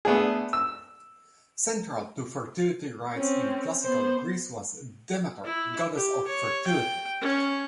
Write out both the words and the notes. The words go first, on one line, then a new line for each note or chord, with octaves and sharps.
Central to fertility rites in classical Greece was Demeter, goddess of fertility...
A3 B3 D4 G#4
E6
C4 C#4
B3 C5
E4
G4
C#5
G5
C#4